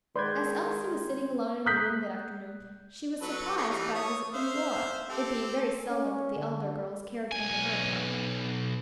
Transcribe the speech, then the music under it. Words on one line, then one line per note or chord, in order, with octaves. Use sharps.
As Elsie was sitting alone in her room that afternoon she was surprised by a visit from Lora; it being very seldom that the elder girls cared to enter her apartment.
D#3 G#3 B4 D5 C6 G6 G#6
D#6 F#6 G6 B6
F#3 A4 B4
A3 G#4 C#5
E3 G3 D#4
C#5 D#6
C5 E5 F5
C4 G4 A4
C#4
D3
B1 G#5